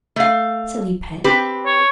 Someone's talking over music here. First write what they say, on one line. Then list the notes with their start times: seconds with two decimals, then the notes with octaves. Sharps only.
Silly pet!
0.16 A3 F5
1.24 C4 G4 B4
1.66 C#5